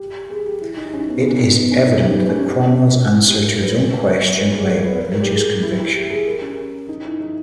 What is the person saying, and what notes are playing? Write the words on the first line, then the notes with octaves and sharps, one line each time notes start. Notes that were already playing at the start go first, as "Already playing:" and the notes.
It is evident that Cromwell's answer to his own question lay in religious conviction.
Already playing: G4
G#4
G4
E4
D#4
C#4
B3
B3
D#4
B3
C#4
D#4
G4
B4
C#4
C#4
E4
G4
A#4
B4
C#5
B4
B4
A#4
C#5
B4
G#4
A#4
B4
A#4
G4
G#4
G4
E4
E4
G4
G#4
A#4
C#4
D#4
E4
D#4